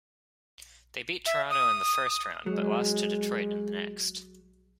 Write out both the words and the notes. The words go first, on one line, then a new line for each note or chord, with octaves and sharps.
They beat Toronto in the first round, but lost to Detroit in the next.
E5
D#6
F#3 G#3